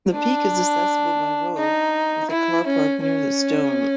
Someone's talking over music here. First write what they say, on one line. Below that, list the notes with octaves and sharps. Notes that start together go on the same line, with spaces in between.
The peak is accessible by road, with a car park near the stone.
D4
D#4
E4
C#4
C#4